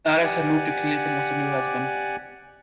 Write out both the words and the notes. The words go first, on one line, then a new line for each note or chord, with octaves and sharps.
Alice had moved to Cleveland with her new husband.
G4 D5 F#5 G#5